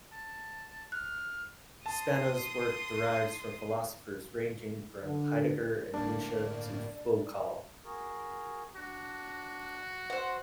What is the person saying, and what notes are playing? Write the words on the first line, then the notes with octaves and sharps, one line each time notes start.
Spanos' work derives from philosophers ranging from Heidegger and Nietzsche to Foucault.
A5
F6 F#6
A5 C6 D#6
D3
G1 A2 A#3 D4 D5
F#4 G#4 A#4
D4 F#4 A5
C5 F#5 E6